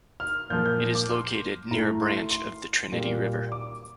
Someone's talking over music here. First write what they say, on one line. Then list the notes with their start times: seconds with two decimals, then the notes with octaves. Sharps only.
It is located near a branch of the Trinity River.
0.20 F6
0.50 A#2 F3 A#3 G6
0.66 G6
0.95 D6
1.10 C6
1.71 A2 A3 A#5
2.02 C6
2.31 C6
2.92 A#2 G3 A#3
3.52 D6